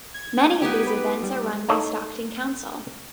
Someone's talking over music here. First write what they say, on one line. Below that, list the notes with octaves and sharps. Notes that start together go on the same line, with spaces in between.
Many of these events are run by Stockton Council.
G#6
B3 D#4 G4
B4
G3
A3 D#4 E4 A4 C#5 D#5